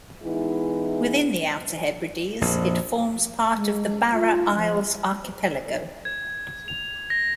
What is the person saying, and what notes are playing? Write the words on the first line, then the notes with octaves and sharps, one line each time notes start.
Within the Outer Hebrides, it forms part of the Barra Isles archipelago.
E3 G#3 B3 D#4 E4
A#1 F2
G#3
F4
F3
G#6
F7
A#6